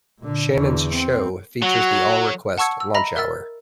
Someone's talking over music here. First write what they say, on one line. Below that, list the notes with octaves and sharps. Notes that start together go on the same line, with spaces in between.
Shannon's show features the All Request Lunch Hour.
A#2 D3
E2 D3
C4
F#3 F#4
F#5 A5 C#6 E6 G#6 C#7
E6
D#5 E5 A#5 B5 A#6
A#4 E5 E6 A6